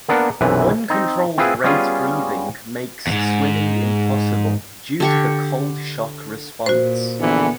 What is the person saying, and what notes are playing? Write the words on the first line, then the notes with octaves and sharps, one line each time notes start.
Uncontrolled rate breathing makes swimming impossible due to the cold shock response.
A#3 B3 D4 A#4 F#5
B1 F#2 C3 E3 B4
C4 D#4
C4 E4 F4 G#4 B4
G3 B3 C#4 F4 G#4
E2 G#2
D3 G4 C#6
A#2 F#4 C5
A#1 D3 E3 B3